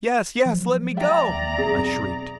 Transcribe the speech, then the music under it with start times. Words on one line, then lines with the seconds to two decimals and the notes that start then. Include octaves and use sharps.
'Yes, yes! let me go,' I shrieked.
0.45 F3 F#3
0.97 D5 E5 G5 A#5
1.29 D#2
1.58 E1 B1 C4 G#4